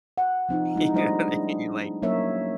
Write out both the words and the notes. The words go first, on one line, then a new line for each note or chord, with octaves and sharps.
You know what I mean? Like
F#5
F3 C4 D#4 F4
G#3 D#4 E4
G3 A3 D4 C5 D#5
D4 G#4
F#3 A#3 C#4 A#4 C#5 E5